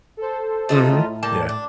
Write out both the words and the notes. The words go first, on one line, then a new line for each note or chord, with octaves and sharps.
Mhm. Yeah.
A4 C5
A3 D#4 F4
A2
G3 A#3 A5
D4